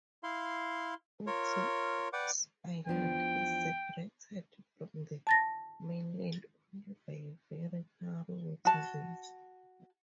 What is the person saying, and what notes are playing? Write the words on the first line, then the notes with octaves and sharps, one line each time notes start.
Also Ox Island is separated from the mainland only by a very narrow waterway.
E4 F5 C6
F4 A#4 C#5
B4 D5 F#5 G5 D6
E2 F3 D4 G5
A5 A6 A#6
F#4 A5